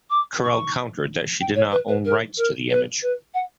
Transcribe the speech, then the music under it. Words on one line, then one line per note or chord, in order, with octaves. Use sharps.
Corel countered that she did not own rights to the image.
D6
C#6
G5
C#5
B4
B4
A#4
A#4
B4
B4
F#5